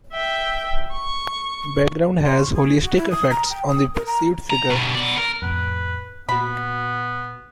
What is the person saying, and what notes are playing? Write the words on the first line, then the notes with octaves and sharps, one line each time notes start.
Background has holistic effects on the perceived figure.
E5 G5
C#6
C6
C#6
G#4
F#4
E4
D#6
A#5
G5
D#6
A#4
A#5
A#5
G2 B2
B3 D5
A#4
F2 A2 B4
A#2 B3 F#4 B5